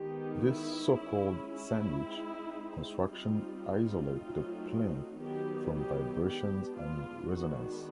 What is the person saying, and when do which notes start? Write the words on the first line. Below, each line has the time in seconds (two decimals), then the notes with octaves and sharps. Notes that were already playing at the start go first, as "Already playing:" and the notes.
This so-called 'sandwich' construction isolate the plinth from vibrations and resonance.
Already playing: D#3 G#3 B3 D#4 G4
0.45 E4
0.97 G#3 C#4
1.49 E4
2.03 G#3 C4 D#4
3.08 G3 C4 D#4 F4
3.61 F4
4.14 F#3 A3 C4 D#4
5.19 D#3 F#3 B3 D#4 G4
5.73 G4
6.25 G#3 B3 D4 G4
6.77 F4
7.30 D#3 G#3 B3 D4 F#4